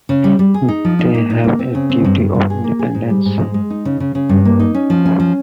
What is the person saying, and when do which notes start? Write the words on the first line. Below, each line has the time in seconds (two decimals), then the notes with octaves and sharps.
They have a duty of independence.
0.09 C#3
0.24 G3
0.39 G3
0.54 G#4
0.68 D#4
0.85 F3
0.99 D#4
1.14 A#3
1.30 D#4
1.44 A#3
1.59 C4
1.75 C#3
1.90 C4
2.05 G2
2.19 G2
2.35 G2
2.50 G#4
2.64 A#3
2.79 G#4
2.95 G#2
3.10 G3
3.25 G#2
3.40 G#3
3.54 G#3
3.70 D#4
3.85 C#3
4.00 C#3
4.15 C#3
4.29 G2
4.45 A#3
4.59 D#4
4.74 C#4
4.90 F3
5.05 C#4
5.20 F3